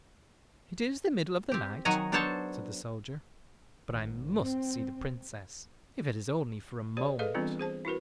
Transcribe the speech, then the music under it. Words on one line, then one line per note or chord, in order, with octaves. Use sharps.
"It is the middle of the night," said the soldier, "but I must see the Princess, if it is only for a moment."
C4 G4
D#3 F#3 F#4 D#5 G#5 A#5
B3 D4 A4 C5 C#5 A5
G#1
C4
G4 C5 D5
G#4 A4 B4 D#5 F5
E3 G3 B3 C4 D4 F4
G#4 C5 A5
E4 F#4 A#4 B4